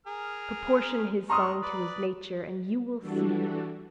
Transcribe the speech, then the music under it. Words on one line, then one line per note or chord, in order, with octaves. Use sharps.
Proportion his song to his nature, and you will see!
G#4 A#4 F6
D4 A#5 C6 C#6 D#6 F6
B4 D5
E3 G3 D4 F#4 A4